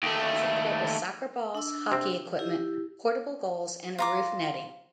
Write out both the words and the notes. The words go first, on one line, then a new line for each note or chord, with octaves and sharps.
It is equipped with soccer balls, hockey equipment, portable goals, and a roof netting.
D#2 A3
D4 E6
C3 C4
E4 G4
F4 A#5 D6